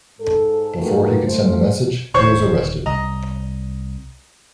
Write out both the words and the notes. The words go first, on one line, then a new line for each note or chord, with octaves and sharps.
Before he could send the message, he was arrested.
G#2 A4
A3 A#3 D#4 F#4 G4 B4
A3 C5
D#1 D#3 C5 C#5 C#6
C2 D#5 A#5